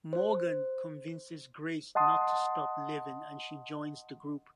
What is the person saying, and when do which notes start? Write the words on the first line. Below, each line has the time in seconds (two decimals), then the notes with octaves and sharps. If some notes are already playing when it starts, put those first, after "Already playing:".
Morgan convinces Grace not to stop living and she joins the group.
0.13 C5
1.95 D#5 F#5 A5 C6 D#6